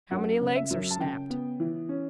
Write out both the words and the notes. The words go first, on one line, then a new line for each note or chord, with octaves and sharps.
"How many legs are snapped?"
F#2 F#5
C#3
E5
F#2
A5
C#3 G5
B3
E3
C#4